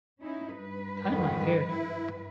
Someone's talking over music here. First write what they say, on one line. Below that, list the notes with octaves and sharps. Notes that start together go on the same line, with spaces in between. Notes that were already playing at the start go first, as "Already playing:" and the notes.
Time I did.
C#4 D#4 E4
G2 B4
F2 G#2 D#3
E4